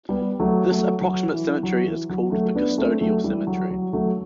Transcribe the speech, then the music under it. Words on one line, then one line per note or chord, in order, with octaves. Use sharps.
This approximate symmetry is called the custodial symmetry.
G3 B3
F#3 A3
F#3 A3
F#3
E3
F#3
E3
F#3
F#3 A3
B3 D4
A3 C4
F#3 A3
E3 G3
F#3
F#3
F#3 A3